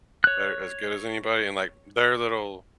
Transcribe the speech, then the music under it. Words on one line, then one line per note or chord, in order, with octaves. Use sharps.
better as good as anybody, and, like, their little
C#5 F#6